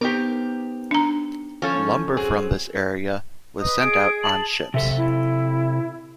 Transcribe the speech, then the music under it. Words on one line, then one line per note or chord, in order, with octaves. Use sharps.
Lumber from this area was sent out on ships.
B3 C4 D#4 G4 A#4 D6
D4 A#5
F3 C#4 A4 C#5
F#3 C4 G#4
B4 D#5
G#4 D7
A5 F#7
C3 A4 E5
E4